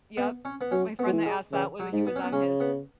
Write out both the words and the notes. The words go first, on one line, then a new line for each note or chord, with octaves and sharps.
Yep. My friend that asked that, whether he was on his
B3
C#4
B3
F#3 C#4
B3
F#3
E3
G#3
C#3 E3
F#3
G#2
B3
C#4
B3
C#3 C#4
B3